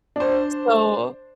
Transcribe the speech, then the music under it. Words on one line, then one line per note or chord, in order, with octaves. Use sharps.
S so
D4 C5